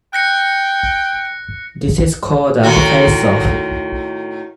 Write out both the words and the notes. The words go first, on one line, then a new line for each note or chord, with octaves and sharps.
This is called a "face-off".
G5 F#6 A#6 C#7
A2 D#3 F#4